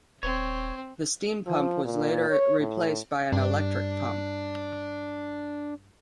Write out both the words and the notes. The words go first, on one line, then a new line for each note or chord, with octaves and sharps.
The steam pump was later replaced by an electric pump.
D#1 C4 C#5
F3
A#2
C#5
A2
G2 D4